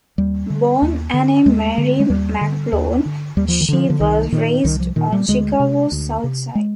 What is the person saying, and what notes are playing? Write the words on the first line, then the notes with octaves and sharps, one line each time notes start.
Born Anne Marie McGlone, she was raised on Chicago's South Side.
D#2 G3
D3
D#2
D3
D#2 G#3
D3
G#3
D#2 G3
D3
D#2
D3
D#2 G3
F3
D#3
D3 F3
D3
C2 D#3
A#2 D#3
C2 D#3
F3
A#2 D#3
G3
D2 G#3
C3
D2
C3
G#3